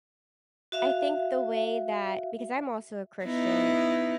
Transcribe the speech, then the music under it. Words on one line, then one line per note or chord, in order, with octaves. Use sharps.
I think the way that because I'm also a Christian,
F#4 E5 F5
B3 D#4 E4